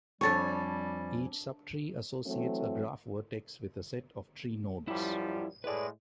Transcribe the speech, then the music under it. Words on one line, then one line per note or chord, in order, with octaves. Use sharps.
Each subtree associates a graph vertex with a set of tree nodes.
F2 G3 D4 A4 C#5 G#5 C#6 A6
E3 F#3 A3 C4
F#2 F3 G3 E4
A2 G#3 B4 D5